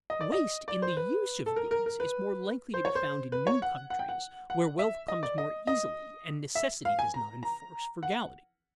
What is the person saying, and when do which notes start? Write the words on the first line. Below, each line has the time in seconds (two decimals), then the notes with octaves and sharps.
Waste in the use of goods is more likely to be found in new countries where wealth comes more easily and necessity does not enforce frugality.
0.10 D#5
0.21 D5
0.32 D#5
0.68 D5
0.82 C5
0.97 B4
1.46 A4
1.56 A#4
1.71 A#4
1.86 A#4
2.00 B4
2.74 C5
2.85 C#5
2.95 C5
3.32 B4
3.47 C#5
3.62 F#5
3.90 F#5
3.99 G5
4.09 F#5
4.50 F#5
4.79 E5
5.08 D#5
5.23 D5
5.38 D#5
5.67 D#5
6.55 E5
6.85 F5
6.99 G#5
7.14 A#5
7.43 A#5
8.03 F#5